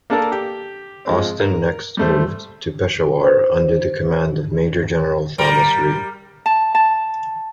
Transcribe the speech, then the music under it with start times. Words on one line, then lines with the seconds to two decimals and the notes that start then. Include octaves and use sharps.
Austen next moved to Peshawar under the command of Major General Thomas Reed.
0.10 A#3 D4 A4 A#4 A5
0.32 G4
1.05 F3 G#3 C4
1.40 A#4
1.97 G3 A3 C5
3.24 C5
5.38 G3 A#4
6.46 A5
6.75 A5